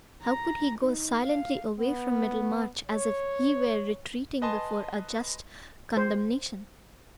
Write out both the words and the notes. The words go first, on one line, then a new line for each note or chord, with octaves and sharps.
How could he go silently away from Middlemarch as if he were retreating before a just condemnation?
A#5
D#4
F5
B3
C#5
B4 D#5 G#5 A5 C6
C5